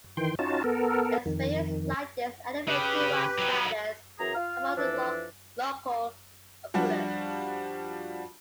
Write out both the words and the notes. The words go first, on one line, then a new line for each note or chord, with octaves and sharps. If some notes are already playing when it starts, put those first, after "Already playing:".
Experience like this elevated Wang's status among the local populace.
D#3 E3 G5 C6
C#4 D#4 F4 F#4 A5
B3 A4 A#4
F2 D#3
C#3 G4 B4
F#3 D#4
F#2 E3 G#4 A#5
F4 F6
E3 F3 D4 A4
F3 G3 D4 F#4